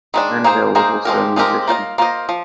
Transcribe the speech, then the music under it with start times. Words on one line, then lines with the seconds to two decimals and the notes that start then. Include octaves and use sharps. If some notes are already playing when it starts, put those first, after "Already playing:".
Menville is also a musician.
0.14 D#3 G#3 D4
0.44 A#3 D#4 G#4 C5
0.75 A#3 D#4 G#4 C5
1.05 F3 G#3 C4 G4 A#4
1.36 F3 G#3 C4 G4 A#4
1.68 A#3 F4 C5 D#5
1.98 A#3 F4 C5 D#5
2.29 F3